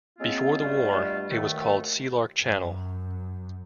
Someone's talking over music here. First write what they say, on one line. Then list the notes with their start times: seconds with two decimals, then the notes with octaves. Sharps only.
Before the war, it was called Sealark Channel.
0.19 F#3 G#3 A#3 C4 F4
0.60 G2 B2 G3 A3 F4
1.30 D#2 B2 D#3 A3
2.42 F#2